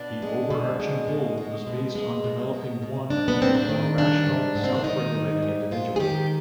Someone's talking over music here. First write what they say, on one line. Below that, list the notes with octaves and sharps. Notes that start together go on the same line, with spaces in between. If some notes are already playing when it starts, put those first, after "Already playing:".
The overarching goal was based on developing one into a more rational, self-regulated individual.
Already playing: B2 D4
G#3
B2
G#3
B2
G#3
B2
G#3
B2
G#3
B2
G#2 D4
B3
G#2 C4
D4
D#3
G3 D4
G#2
G#2
C4
D4
D#3 D#4
G3
G#2
G#2 F4
G#4
D#3 G4